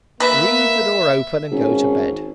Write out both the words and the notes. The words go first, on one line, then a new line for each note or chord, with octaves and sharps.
Leave the door open, and go to bed.
A#3 B4 E5
G#1 C#4